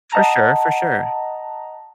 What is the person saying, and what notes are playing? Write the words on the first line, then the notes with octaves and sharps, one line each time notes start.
For sure, for sure.
D#5 F#5 A5 A#5